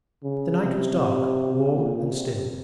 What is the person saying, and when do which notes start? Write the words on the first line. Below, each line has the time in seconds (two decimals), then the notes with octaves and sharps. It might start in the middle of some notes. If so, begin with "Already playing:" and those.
The night was dark, warm, and still.
0.23 C#3
0.62 C3
1.74 A#2
2.11 C3